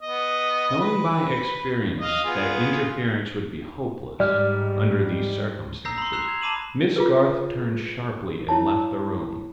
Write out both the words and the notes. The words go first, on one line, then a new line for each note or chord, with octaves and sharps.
Knowing by experience that interference would be hopeless, under these circumstances, Miss Garth turned sharply and left the room.
B3 D#5
B4
D#5 F5
B3 F4 G#4
G#2 G3 D5 F6
A#5 D#6 E6 G6 A#6 C7
B5 C6
A#5 E6 F#6 C7 E7 F7
G#6 F7
A5 B5 D6 D#7 E7 F#7
F4 G#4 B4
E4 C#5 A5